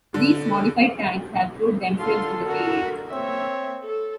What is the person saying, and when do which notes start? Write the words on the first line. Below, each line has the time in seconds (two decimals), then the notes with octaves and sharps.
These "modified" tanks have proved themselves in the field.
0.14 D3
2.00 D3 F4 A4 C6
2.45 D3 F#4 A#4
3.12 A#3 C4 C#5 E5
3.85 A4